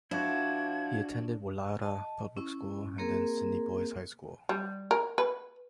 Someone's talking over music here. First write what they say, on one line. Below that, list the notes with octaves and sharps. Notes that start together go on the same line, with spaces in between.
He attended Woollahra Public School, and then Sydney Boys High School.
F3 D4 E4 F#4 G#6
D#5 A5
C#4 E4 C#6
A#3 C4 G#4 A#4
G3
A#4
B4